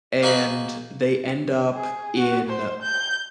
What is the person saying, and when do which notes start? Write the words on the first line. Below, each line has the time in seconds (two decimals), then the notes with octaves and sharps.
and they end up in
0.23 A#3 D#4 F#4 G#4 F#5 B5
1.73 G#4
2.18 F#4
2.49 C5
2.82 G6